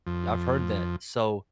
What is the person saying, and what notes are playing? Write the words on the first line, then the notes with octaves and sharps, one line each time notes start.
I've heard that, so,
F2